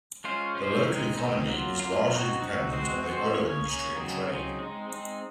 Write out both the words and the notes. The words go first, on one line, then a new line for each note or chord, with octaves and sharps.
The local economy is largely dependent on the oil industry and trade.
G#3 C#4 F4 C5
G#3 C#4 F4 C5
D#3 G#3 C4 D#4
D#3 G#3 C4 D#4
F#3 A#3 F4
F#3 A#3 F4
C4 D#4 F#4
C4 D#4 F#4
G#3 C4 F#4 C5
G#3 C4 F#4 C5
A#3 C#4 G#4 C#5
A#3 C#4 G#4 C#5
C#3 F#3 C4 D#4 G#4
C#3 F#3 C4 D#4 G#4
G#3 C4 D#4
G#3 C4 D#4